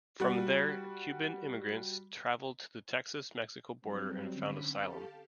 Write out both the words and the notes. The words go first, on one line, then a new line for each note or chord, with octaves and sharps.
From there Cuban immigrants traveled to the Texas-Mexico border and found asylum.
G3 F#4
F#3 G3 C4
D3 C4 C#4 B5
G4 A4 F5 A5